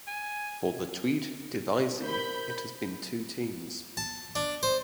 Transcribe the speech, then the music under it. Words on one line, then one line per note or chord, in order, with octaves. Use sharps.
For the Tweede Divisie it has been two teams.
G#5
A#4 C5 B5 G6
A5
D4
C5